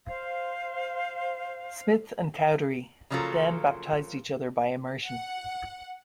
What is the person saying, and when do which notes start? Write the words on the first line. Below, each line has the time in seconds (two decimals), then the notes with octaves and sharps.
Smith and Cowdery then baptized each other by immersion.
0.08 C5 F5
3.10 C#3 F3 F#3 A#3 F4 A4
5.06 F#5